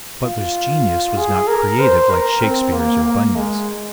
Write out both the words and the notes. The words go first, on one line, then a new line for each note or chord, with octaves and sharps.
Butler's genius was not creative like Shakespeare's or Bunyan's.
F4
G#4
A#4
C5
A#4
C4
A#3
A#3
G#3